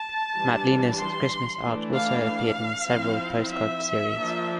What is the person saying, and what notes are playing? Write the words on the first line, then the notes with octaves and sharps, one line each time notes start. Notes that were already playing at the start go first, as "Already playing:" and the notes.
Madlener's Christmas art also appeared in several postcard series.
Already playing: A5
E3 G3 D4
C6
E3 A3 D4
F5
F5
F3 C4 E4
E5
F3 A#3 D4